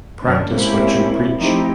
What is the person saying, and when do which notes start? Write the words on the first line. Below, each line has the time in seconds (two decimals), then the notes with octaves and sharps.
Practice what you preach.
0.22 F#2 D3 C#4 D4
0.51 G#3 A#3 C4 C#4 E4 G4
1.38 F3 A3 C4 D#4 E4 G4